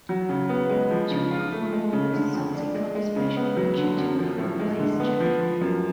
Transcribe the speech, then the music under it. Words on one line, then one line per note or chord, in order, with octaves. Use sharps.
Joan Huffman won the subsequent special election to replace Janek.
F#3
C#3
B3
G#3
F3
C#3
F4
A3
G#3
C#3
D3
F2
D4
G#3
G#3
C#3
B3
F#3
D3
F#2
F3
A2
G#3
D3
B3
F3
F3
F#2